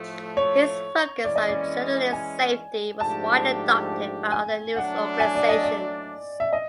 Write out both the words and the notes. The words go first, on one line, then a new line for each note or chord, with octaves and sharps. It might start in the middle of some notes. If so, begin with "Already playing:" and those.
His focus on journalist safety was widely adopted by other news organizations.
Already playing: A2 F3 A3
C#5
E3 G#3 C#4 D5
D#5
D5
G#5
G#2 F3 A3 D4 G4 A5
G#5
F#3 A3 D4 F#5
G#5
D5
D#5
D5
E5
D#5